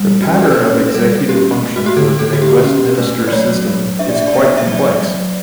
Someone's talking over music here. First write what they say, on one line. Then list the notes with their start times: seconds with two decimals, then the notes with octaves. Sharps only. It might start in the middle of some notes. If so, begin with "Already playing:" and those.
The pattern of executive functions within a Westminster System is quite complex.
Already playing: G3
0.22 F#4
0.27 C#4 G4
0.42 A4
0.51 B4
0.60 C#4 C#5
0.89 B4
0.94 G3 A4
1.29 C#4 G4
1.63 A3
1.76 F#4
1.86 G4
1.97 D3 A4
2.19 A4
2.31 D3 F#4
2.42 G4
2.64 C#4 G4
2.98 A3 B4
3.28 D5
3.32 F#3 C#5
3.66 F#3
3.99 D4 E5
4.09 D5
4.17 E5
4.27 D5
4.34 B3 E5
4.58 E5
4.67 F#3 D5
5.01 F#3